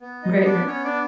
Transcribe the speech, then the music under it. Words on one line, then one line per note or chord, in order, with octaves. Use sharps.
Right, right.
B3
D#4 D#5
B3
D4 D5
B3 C#4 C#5
D4 D5